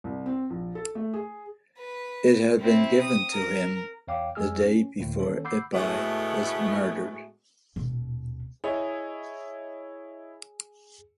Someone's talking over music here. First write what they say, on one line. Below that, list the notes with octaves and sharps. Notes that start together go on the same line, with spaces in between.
It had been given to him the day before Ippei was murdered.
C2
C4
A#1
A4
A3
G#4
B4
C4 E4
D#6
A#4
E2 C#5 F5 G5 D6
F2 F#3 G#3 G#4 E6 F6
C#4
D2 A2 D3 A#3
D#3 A#3 C#4 D4 A4 C#5
F#5 B5 D6 E6 G6 C7
A2 G#3 A3 B3 F#4
D#1 B2
E4 G#4 C#5 D#5